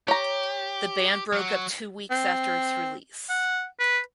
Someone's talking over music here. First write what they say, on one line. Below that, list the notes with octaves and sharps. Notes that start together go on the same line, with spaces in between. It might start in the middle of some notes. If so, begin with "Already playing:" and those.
The band broke up two weeks after its release.
G4 C#5 A#5
F#3 F#4
C4
F#5
B4